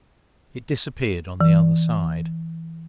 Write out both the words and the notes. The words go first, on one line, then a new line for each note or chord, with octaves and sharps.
It disappeared on the other side.
E3